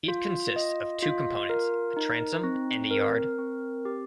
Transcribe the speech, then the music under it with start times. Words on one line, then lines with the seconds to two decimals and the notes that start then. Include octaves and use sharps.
It consists of two components, a transom and a yard.
0.08 F4
0.56 D#5
1.03 F4
1.49 A#4
1.97 D#4
2.44 C4
2.91 A#4
3.38 C4
3.85 G4